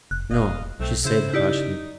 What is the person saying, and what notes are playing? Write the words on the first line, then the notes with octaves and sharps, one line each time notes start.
"No!" she said harshly.
F1 F#6
E1 D#5 F5
B1 A3 C4
C#3 E4 C5
D#4 E4 G4 D5